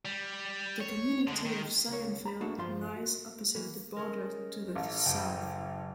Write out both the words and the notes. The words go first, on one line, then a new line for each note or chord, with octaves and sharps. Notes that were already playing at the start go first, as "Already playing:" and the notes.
The community of Zionville lies opposite the border to the south.
G3
C#5
D3 G#3
D#3
C#2 C#5
A#5 B5
A3 A#3 D4 F#4 A4
G2 F3 F4 F5 C6
F#4
E3 F#3 A#3
G#3 C#4 A#4
A1
F#1 D#5 G5